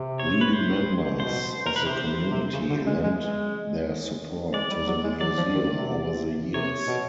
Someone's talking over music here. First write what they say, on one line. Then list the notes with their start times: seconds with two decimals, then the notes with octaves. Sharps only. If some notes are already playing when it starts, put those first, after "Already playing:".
Leading members of the community lent their support to the Museum over the years.
Already playing: C3
0.19 C#5
0.41 B4
0.53 C5
1.19 B2 C5
1.66 A#4
1.76 B4
1.86 C3 C5
2.31 C3
2.53 C#3
2.70 D3
2.87 G#3
3.04 G#3
3.20 G#3
4.54 G#3 D5
4.71 G3
4.87 F#3
5.04 G#3
5.21 F#3 D5
5.37 F3
5.54 D#3
5.71 C3
6.54 C3 C#5
6.87 B2